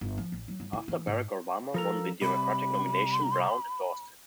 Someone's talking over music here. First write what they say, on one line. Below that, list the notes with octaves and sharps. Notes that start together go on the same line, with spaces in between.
After Barack Obama won the Democratic nomination, Browne endorsed him.
G1
F3
A1
F#3
G1
E4
E3
G#2
F3 A4 A#4 A#5
C3 G3 B5